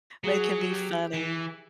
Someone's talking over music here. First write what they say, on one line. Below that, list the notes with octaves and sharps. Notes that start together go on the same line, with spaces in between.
They can be funny.
F#3 G#4
G4
E3